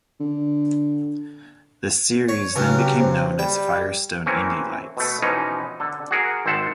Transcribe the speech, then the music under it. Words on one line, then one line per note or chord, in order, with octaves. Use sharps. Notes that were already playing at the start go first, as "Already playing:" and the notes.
The series then became known as "Firestone Indy Lights".
D3
C#5
G2 C#3 F#3
G4
C4
G3 G5
E3 A3 A#3 C4 C#4
B2 A3
B2 E3 F3 C#4 D#4
D3 A4
F#4 G#4 A#4
G#1 C4 C5 E5 F#5 A5